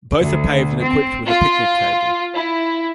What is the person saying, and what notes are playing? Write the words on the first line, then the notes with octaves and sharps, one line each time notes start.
Both are paved and equipped with a picnic table.
D2
C4
F4
E4